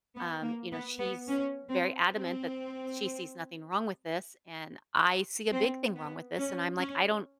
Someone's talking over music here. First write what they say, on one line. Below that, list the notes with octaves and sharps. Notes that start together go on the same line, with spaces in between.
um, you know, she's very adamant that she sees nothing wrong with this, and I see a big thing wrong with this, and I'm like, I don't
B3
A#3
B3
B3
C#4
C4
C4
C4
B3
C#4
C#4